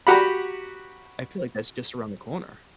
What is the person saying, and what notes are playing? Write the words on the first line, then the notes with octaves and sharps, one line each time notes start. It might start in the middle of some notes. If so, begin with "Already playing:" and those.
I feel like that's just around the corner.
F#4 G4 F#5 A#5 B5